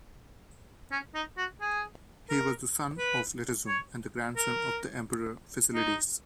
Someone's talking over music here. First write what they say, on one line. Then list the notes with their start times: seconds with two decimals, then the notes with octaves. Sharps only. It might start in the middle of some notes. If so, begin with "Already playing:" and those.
He was the son of Letezum, and the grandson of the Emperor Fasilides.
0.91 C#4
1.15 D#4
1.38 F#4
1.61 G#4
2.30 A#4
2.98 B4
3.67 C#5
4.37 A#4
5.74 D#4